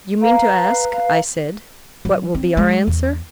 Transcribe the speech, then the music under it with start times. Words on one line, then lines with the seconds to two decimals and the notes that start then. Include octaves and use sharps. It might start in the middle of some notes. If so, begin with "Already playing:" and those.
You mean to ask, I said, what will be our answer?
0.22 B4 F5 A#5
2.05 F#3
2.35 C4
2.57 G#3
2.87 E2